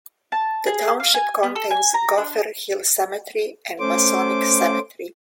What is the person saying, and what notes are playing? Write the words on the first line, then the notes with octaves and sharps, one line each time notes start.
The township contains Gopher Hill Cemetery and Masonic Cemetery.
A5
G#4
F5
G#5
B3
A4
G#5
A#5
D4
A3 C#4 C5 D6